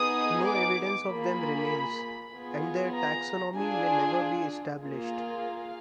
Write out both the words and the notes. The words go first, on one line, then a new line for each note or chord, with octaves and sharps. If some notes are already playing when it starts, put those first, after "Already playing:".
No evidence of them remains, and their taxonomy may never be established.
Already playing: B3 D#4 G#4 D#6
D6
A#3 F4 G#4 B5
B3 F4 G#4
A#5
D4 F4 G#4 G#5
A#3 F4 G#4
F5